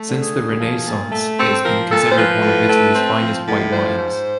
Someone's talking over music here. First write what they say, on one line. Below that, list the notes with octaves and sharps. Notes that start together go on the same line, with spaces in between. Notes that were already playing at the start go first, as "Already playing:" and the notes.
Since the Renaissance, it has been considered one of Italy's finest white wines.
Already playing: A3
D3
G#4
D#2
F3
A#2
A3
C4 A4
F3 A#4
A#2 A4
C5
F3 B4
A2
A3
C4
F3
A2
F3 C5
G#2